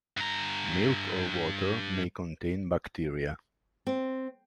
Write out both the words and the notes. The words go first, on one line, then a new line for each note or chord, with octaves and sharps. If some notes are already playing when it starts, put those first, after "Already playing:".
Milk or water may contain bacteria.
G2 A#5
C4